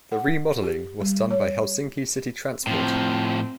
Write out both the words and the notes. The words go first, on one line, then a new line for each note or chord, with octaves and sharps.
The remodelling was done by Helsinki City Transport.
F#5
G4
G3
C#5
A2 F3 C4